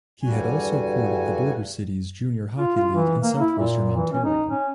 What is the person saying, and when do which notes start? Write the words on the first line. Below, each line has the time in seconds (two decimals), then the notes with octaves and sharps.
He had also courted the Border Cities Junior Hockey League in Southwestern Ontario.
0.23 E2 G2 D3 G3 F#4 G#5
2.59 F4
2.77 F4
2.95 E3
3.23 A#3
3.40 E4
3.58 A#2
3.97 E3
4.12 C#4
4.25 D#4
4.49 C#4